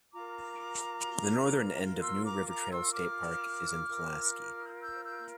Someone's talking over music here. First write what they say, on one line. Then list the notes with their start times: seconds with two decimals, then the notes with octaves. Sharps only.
The northern end of New River Trail State Park is in Pulaski.
0.13 F4 A#4 A#5 D6
2.01 C6 E6
2.24 A#5 D6
2.48 A#5 D6
2.71 C6 E6
2.94 D6 F6
3.88 F4 A#4
4.82 E6 G6
5.05 E6 G6